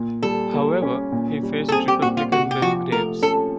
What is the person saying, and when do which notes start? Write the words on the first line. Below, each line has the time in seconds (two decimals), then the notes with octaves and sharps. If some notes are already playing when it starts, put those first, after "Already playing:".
However, he faced Republican Bill Graves.
Already playing: A#2
0.23 G3 A4
0.54 A#3
0.82 C#4
1.12 A#2
1.43 G3
1.68 A4
1.72 C4 G#4
1.88 G4
2.02 A#2 F#4
2.17 F4
2.32 C3 F#4
2.51 G4
2.62 F3 F#4
2.92 A3 A#4
3.22 C#4 A4